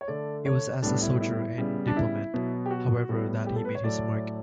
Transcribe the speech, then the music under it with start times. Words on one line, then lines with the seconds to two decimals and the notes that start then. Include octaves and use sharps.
It was as a soldier and diplomat, however, that he made his mark.
0.01 C#5
0.08 D3 A3 D5
0.46 C#5
0.82 A2 G3 B3 D4
1.02 E4
1.20 E4
1.58 C#3 G3 B3
1.87 D4
1.96 E4
2.34 B2 F#3 B3
2.66 G4
2.71 F#4
3.09 A2 G3 B3
3.46 G4
3.56 A4
3.65 B4
3.75 C#5
3.84 A2 F#3 A3 D5